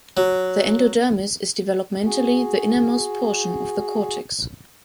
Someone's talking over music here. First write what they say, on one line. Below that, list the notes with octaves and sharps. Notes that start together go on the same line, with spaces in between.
The endodermis is developmentally the innermost portion of the cortex.
F#3
F#4 G#4